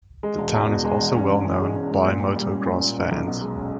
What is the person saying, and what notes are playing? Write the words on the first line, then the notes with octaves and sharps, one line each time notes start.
The town is also well known by motocross fans.
G#3
E1
E2
B2
G#3
E1
C#4
G#2
E3
G#3
C#4
G#2
A#2
A#2
G3
C#4
A#2
A#2
C#4
B1
B2
G#3
C#4